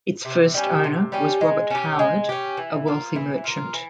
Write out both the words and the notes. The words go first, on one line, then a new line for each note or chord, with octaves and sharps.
Its first owner was Robert Howard, a wealthy merchant.
C3
G3 C#4 G4
C3
G3 C#4 G4
G#3
C#4 G4
G#3
C#4 G4
E3
A#3 F4
E3
A#3 F4
E3